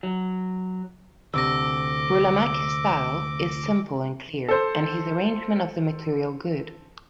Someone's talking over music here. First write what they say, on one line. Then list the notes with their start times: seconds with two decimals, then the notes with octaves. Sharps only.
Burlamaqui's style is simple and clear, and his arrangement of the material good.
0.03 F#3
1.34 D2 C3 D6 E6 A#6
4.48 A4 C5